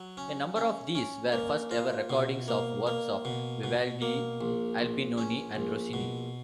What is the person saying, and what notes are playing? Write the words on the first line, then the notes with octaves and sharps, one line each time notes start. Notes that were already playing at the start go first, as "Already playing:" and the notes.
A number of these were first-ever recordings of works of Vivaldi, Albinoni and Rossini.
Already playing: F#3
C#4
C#4
C#4
A#3
F4
B2
A#3
A#3
B2
B2
A#3
A#1
A#1
C#4
A#1
B2